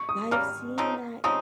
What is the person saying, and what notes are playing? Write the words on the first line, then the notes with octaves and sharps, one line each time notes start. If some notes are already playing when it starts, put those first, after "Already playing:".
I've seen that.
Already playing: C#6
D#6
C#3 G3 A#3 F6
C#3 F3 C4 D#4
C#3 F3 C4 D#4 D#6